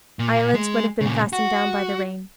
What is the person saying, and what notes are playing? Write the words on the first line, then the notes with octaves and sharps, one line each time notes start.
Eyelids would have been fastened down by the rain.
A#2
G#3
A#2 C#3
F#4